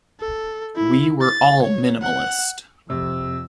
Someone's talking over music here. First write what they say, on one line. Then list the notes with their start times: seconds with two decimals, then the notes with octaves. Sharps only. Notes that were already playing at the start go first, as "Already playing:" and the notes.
We were all minimalist.
0.20 A4
0.76 E4
1.21 A6
1.62 C#5
2.02 F#5
2.90 F2 C3 E6